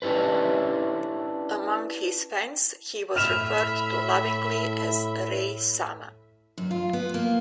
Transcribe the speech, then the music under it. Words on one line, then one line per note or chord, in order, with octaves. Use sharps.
Among his fans he was referred to lovingly as Rai-sama.
C#4 D4 E4 G4 B4
A2 E5 B5 F6 E7 F7
F#2
F4
B3
A#3